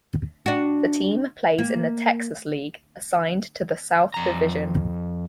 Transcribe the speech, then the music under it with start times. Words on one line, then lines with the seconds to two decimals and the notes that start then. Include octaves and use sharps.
The team plays in the Texas League, assigned to the South Division.
0.46 D4 F#4
1.58 A#3
4.14 F2 A#5